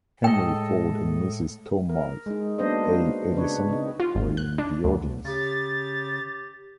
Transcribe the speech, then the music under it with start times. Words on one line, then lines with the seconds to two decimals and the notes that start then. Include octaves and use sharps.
Henry Ford and Mrs. Thomas A. Edison were in the audience.
0.24 A2 G#3 A4 D#5 G5
1.89 A#4
2.26 G#3 D#4
2.58 F#3 A#3 B3 D4 C5 D#5
3.34 C#3 D4 B4 C#5
3.69 C#3 C4 D#4
4.00 F4
4.15 G#1
4.37 F#6
4.58 D4
4.84 D2
5.25 C#3 G4 A6